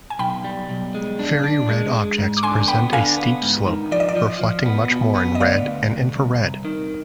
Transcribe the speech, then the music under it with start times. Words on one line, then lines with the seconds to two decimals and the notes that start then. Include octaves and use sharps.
Very red objects present a steep slope, reflecting much more in red and infrared.
0.10 G#5
0.19 B1 G5 B5
0.44 G3
0.70 B1
0.95 G#3
1.19 D4
1.44 D4
1.69 G#3
1.93 G#3
2.18 G#2
2.37 D6
2.43 D3 G#5 C6
2.67 B3 G5 B5
2.93 D3 F5 G#5
3.17 B3
3.42 G#2
3.67 D#3
3.92 F3 D5
4.00 D#5
4.09 D5
4.16 F3
4.41 F3
4.66 B3
4.91 B2
5.15 B3
5.35 D#5
5.40 D2 D5 F5
5.66 D2
5.90 D2
6.16 C2
6.40 C2
6.65 D#3